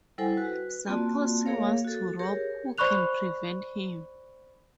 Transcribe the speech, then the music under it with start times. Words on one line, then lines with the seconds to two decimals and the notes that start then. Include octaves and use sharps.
Suppose he wants to rob — who can prevent him?
0.18 G3 E4 A4 C5 F#5 G#5
0.37 F#4 B4
0.87 A#3 C4 F4 F#4 D5 A5
1.46 A#3 G#4 A#4 C#5 F5
1.85 F#4 A4
2.19 G4 G#4 A#4 C#5
2.78 C5 D5 B5 C#6 F#6 F7